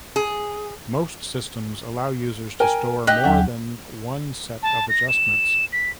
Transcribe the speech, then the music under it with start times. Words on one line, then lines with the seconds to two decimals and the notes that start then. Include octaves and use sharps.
Most systems allow users to store more than one set of adjustments.
0.16 G#4
2.60 A#4 G5 G#5
3.07 G4 D#5 F#6
3.24 D#2 F#3 C#4 E5 F#5
4.63 A5
4.89 A#6
5.09 E7
5.72 B6